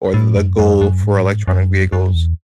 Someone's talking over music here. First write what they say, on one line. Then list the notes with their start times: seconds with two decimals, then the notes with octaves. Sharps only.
Or, the goal for electronic vehicles.
0.14 A2
0.36 F#2
0.59 F#2
0.81 F#2
1.03 G#2
1.48 F#2
1.93 F#2
2.14 E2